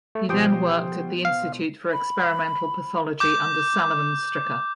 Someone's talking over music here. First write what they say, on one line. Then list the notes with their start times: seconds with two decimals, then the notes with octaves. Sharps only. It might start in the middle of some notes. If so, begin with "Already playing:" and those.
He then worked at the Institute for Experimental Pathology under Salomon Stricker.
0.15 A3
0.29 B2 F3 G4 C5 G5 D#6
1.25 F5
1.93 B5
3.20 D6 G6